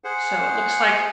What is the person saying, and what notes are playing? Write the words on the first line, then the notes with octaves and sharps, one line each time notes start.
so, it looks like
G#4 C5 F#5